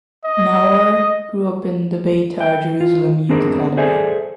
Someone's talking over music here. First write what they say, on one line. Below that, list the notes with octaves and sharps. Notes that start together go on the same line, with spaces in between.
Naor grew up in the Beitar Jerusalem youth academy.
D#5
G5
F4
B3 C4 D4 G#4 A#4
G#4 A4 C5 D5 E5 G#5